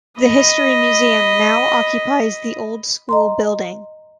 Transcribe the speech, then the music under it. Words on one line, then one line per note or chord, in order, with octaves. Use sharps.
The history museum now occupies the old school building.
D#5 B5
D#5 A#5 C6